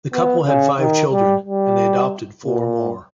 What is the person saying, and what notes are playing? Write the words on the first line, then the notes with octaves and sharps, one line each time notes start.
The couple had five children, and adopted four more.
B3
C#3
D#3
G3
G3
A#2